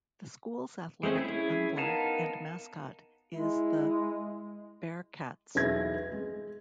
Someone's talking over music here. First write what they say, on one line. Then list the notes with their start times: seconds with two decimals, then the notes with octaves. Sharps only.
The school's athletic emblem and mascot is the "Bearkatz".
1.03 G#3 A3 C4 C#4
1.15 C#4 E4 G#4
1.77 B3 D#4 A#4 F5 A5
3.34 G#3 E4
5.55 B1 E2 B4 E5 G#6 A#6
6.12 G#3